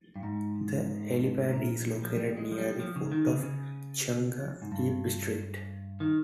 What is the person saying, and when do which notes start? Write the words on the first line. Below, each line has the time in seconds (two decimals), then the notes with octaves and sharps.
The helipad is located near the foot of Cheung Yip Street.
0.16 G2
0.23 G#2
1.51 A#2
2.03 F3
2.16 G3
2.37 G#3
2.52 F3
2.58 G3
2.80 F3
2.96 C#3
3.12 D#3
3.27 C#3
3.43 C#3
4.62 G#2
4.72 G2
6.00 D#3